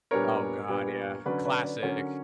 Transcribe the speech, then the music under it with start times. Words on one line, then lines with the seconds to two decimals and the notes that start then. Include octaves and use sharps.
Oh God, yeah, classic.
0.11 A#2 G3 B3 D4 A#4 C#5
0.68 A#2 G3 B3 D4
1.26 D3 F#3 C#4 B4 D5
1.45 B4 D5
1.64 B4 D5
1.83 D3 F#3 C#4 A#4 C#5